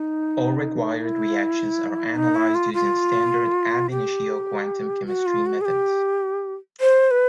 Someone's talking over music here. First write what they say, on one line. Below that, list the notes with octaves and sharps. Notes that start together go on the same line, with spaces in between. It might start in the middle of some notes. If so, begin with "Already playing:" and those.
All required reactions are analyzed using standard ab initio quantum chemistry methods.
Already playing: D#4
E4
D#4
E4
F4
F4
G4
F#4
F4
F#4
G#4
G4
C5
B4